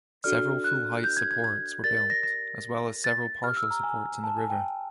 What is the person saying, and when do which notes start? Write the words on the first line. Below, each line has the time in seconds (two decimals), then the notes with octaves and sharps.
Several full-height supports were built, as well as several partial supports in the river.
0.24 D4 F#4 A4 D5 F6
0.64 F#6
1.04 G6
1.17 G#6
1.31 G#6
1.44 G#6
1.84 G4 A#4 D5 A6
1.97 A6
2.10 A#6
2.23 A#6
3.04 A6
3.43 G4 C5 F6
3.57 E6
3.71 A#5
3.83 G#5
4.24 A5
4.37 G#5
4.50 G5